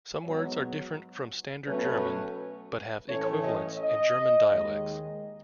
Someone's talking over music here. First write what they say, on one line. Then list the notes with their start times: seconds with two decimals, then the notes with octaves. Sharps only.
Some words are different from Standard German but have equivalents in German dialects.
0.24 G#2 F#3 B3 C#5
1.66 B2 F#3 A3 C#4 B4
3.08 A2 E3 A3 C#4 C#5
3.43 D#5
3.78 D#5
4.49 D#2 D#3 G#3